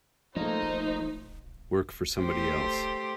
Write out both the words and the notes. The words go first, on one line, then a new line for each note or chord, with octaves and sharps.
Work for somebody else.
F3 A3 A#3 D#4 C5
A3 G4 C5